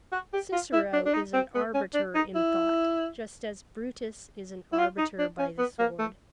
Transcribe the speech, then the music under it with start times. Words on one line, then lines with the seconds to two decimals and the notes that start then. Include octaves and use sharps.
Cicero is an arbiter in thought, just as Brutus is an arbiter by the sword.
0.12 F#4
0.33 G4
0.53 F4
0.73 E4
0.93 D4
1.06 D4
1.14 D#4
1.34 C4
1.55 B3
1.74 C#4
1.94 D4
2.15 D#4
2.35 E4
4.73 E4
4.79 F4
4.98 D#4
5.19 D4
5.39 C#4
5.58 B3
5.79 A#3
5.99 A3